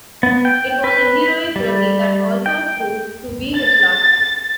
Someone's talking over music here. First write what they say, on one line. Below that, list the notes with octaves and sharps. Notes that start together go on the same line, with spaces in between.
It was an heroic journey that also proved to be his last.
B3
G5
B4
G3
G5
A6